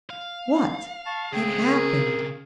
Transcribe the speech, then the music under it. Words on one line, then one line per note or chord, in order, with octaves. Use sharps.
What had happened?
F5
A5 C#6
C#3 C4 G#4 G5
A#4